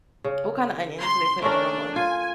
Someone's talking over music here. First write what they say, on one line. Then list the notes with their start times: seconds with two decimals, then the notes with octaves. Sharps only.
What kinda onions do they put in there normally?
0.24 C#3
1.00 C6
1.42 A3 C#4 D4 A#4
1.96 F4 G#5